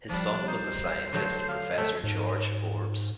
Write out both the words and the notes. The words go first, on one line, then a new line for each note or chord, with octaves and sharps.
His son was the scientist Professor George Forbes.
F3 G3 D4
D#4 C5
D3 F#3 A3
F5
A3 C5 E5 G5
G#2